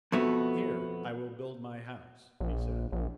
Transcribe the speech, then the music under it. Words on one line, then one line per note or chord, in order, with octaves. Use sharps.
"Here I will build my house," he said.
F2 B2 A3 B3 F#4
A#1
A#1